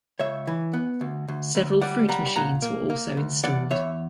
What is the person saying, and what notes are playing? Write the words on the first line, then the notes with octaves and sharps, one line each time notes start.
Several fruit machines were also installed.
C#2 C#5 E5
E3
B3
D2
D2
D2
G3 D5 F#5
G3 F#5 A#5
B5
A#2 F#5 A#5
A#3
A#3
D2
E2 D5 F#5
E2 C#5 E5